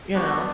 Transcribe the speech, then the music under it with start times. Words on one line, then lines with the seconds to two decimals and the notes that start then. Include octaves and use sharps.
you know?
0.14 B3 D4 F#4